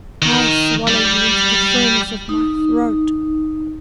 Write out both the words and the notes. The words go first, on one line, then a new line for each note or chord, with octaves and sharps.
I swallow you into the furnace of my throat.
D#3
G3 D5
D#4